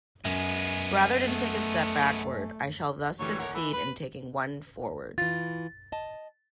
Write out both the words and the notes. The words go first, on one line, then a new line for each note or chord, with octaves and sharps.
Rather than take a step backward I shall thus succeed in taking one forward.
F#2 G#3 B3
A3
A2 D3 E3 F#3 G3 C#5
D#1 A#4 C#5 F#5
E3 B5
B4
E3 F4 A6
D#5 A5